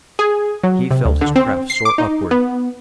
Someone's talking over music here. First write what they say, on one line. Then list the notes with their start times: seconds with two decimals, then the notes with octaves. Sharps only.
He felt his craft soar upward.
0.19 G#4
0.63 F#3
0.91 C3
1.05 D2
1.21 D3
1.36 C4
1.70 C7
1.85 D6
1.98 D#4
2.31 B3